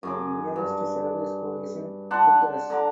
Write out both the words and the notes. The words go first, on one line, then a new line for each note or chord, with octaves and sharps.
The nearest secondary school is in Childers.
F#2 G#4 D6
G2
D4 F#5 A5 C6
D3 A#5 D6